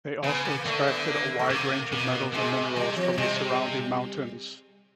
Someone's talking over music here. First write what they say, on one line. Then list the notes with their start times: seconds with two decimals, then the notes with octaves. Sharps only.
They also extracted a wide range of metals and minerals from the surrounding mountains.
0.24 C#3 B3
0.45 A#3
0.66 D3 A3
0.88 B3
1.08 A#3
1.39 A3
1.50 C3 A#3
1.92 B2 A#3
2.34 C3 G#3
2.76 G3
2.97 F3
3.18 C3 G3